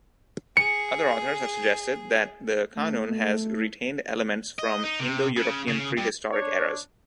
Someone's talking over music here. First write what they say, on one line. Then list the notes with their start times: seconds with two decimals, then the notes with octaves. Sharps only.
Other authors have suggested that the Kanun has retained elements from Indo-European prehistoric eras.
0.57 G#4 C#7
2.75 A3
4.59 D#5
4.84 D#4
5.00 C3
5.37 C#3
5.68 C#3
5.97 G2
6.31 D4 C#5